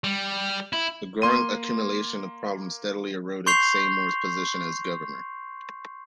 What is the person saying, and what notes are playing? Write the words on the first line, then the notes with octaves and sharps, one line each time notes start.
The growing accumulation of problems steadily eroded Seymour's position as governor.
G3
E4
A#3 C6 D#7
C6 C#6 G6 C7 F7 G7